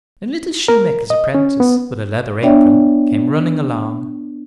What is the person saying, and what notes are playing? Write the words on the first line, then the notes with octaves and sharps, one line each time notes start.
A little shoemaker's apprentice, with a leather apron, came running along.
A#4
D#5
C#4
B3
B3 D4 C#5 D5 E5 G5